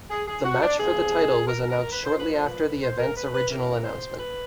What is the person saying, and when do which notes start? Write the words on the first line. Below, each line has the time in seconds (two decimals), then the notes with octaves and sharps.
The match for the title was announced shortly after the events original announcement.
0.10 G#4
0.27 G#4
0.44 F#4
0.61 D4
0.79 E2 C3 F3 G#4
1.46 A#4
1.69 A#4
1.92 B4
2.05 C5
2.14 A#2 F3 B4
2.32 C5
2.45 B4
2.82 C5
2.99 A#4
3.16 B4
3.33 B4
3.50 E2 C#3 E3 A#4
3.84 C5
4.19 B4